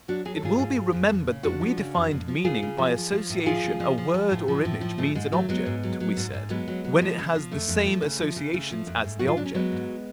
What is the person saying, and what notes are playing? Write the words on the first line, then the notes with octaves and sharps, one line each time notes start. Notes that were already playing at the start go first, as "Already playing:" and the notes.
It will be remembered that we defined meaning by association a word or image means an object, we said, when it has the same associations as the object.
F#3 D4 F#4
F#3 G#4
A4
G#2 F4 G#4
G#2
G#2
F2
F2
C#3
F2 D4 F#4
F3
C#3
F2
F2
F3
C#3 F4 G#4
C#3
F3
F3
F3
A2
F3 F4 G#4
F3
F3
F3
F3
A2
F3
A2
F3
G#2 A3
G#2 G#3
F#3 A3
F#3 G#3 B3
G#2
F#3
F#3
G#2
G#2
F#3 G#3 B3
F#3
F#3
F3
C#3
F3
F2 A3
F2
F3
C#3
F3
C#3
C#3 A3
F3
F2
G#2
F#3 F#4
F4
F#3 D4
C#4
F#3 G#3 B3
G#2